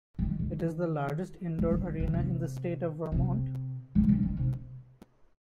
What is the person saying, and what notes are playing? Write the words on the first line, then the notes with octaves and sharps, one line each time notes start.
It is the largest indoor arena in the state of Vermont.
D#3
D#3
D#3
E3
D#3
D#3
C3
C3
C#3
C#3
D#3
C3